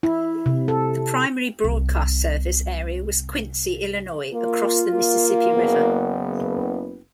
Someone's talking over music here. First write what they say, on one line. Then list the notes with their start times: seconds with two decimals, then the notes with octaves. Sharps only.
The primary broadcast service area was Quincy, Illinois, across the Mississippi River.
0.03 E4
0.46 C3
0.68 A4
1.64 C2 C3
4.33 A#3 F4
4.94 A#3
5.54 F#1 B3